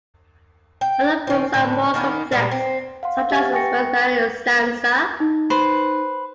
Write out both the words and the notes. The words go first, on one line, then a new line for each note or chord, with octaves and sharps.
Other forms are more complex, such as the Spenserian stanza.
G5
D#3 C4
A2 D3
D#3 A#3 B3 D#4
A#2 G3 G#3 B3
C4
F5 F#5 C6
G4 E5 F#5 G#5 A6
B4 G5 C#6 A#6 C#7
D#4
B4 C5